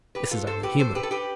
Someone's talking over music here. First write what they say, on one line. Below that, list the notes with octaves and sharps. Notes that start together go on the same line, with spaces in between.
This is only human.
G4 B4
F4 A4
A4 C5
G4 B4
A4 C5
G4 B4
A4
G4 B4